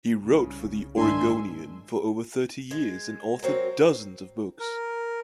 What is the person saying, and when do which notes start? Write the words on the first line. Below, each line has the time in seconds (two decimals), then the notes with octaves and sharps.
He wrote for "The Oregonian" for over thirty years, and authored dozens of books.
0.22 C2 C#3
0.97 G#2 D#3 D4 E5 G#5 C6
2.71 G#3
3.43 F#3 C4 A#4
4.60 A#4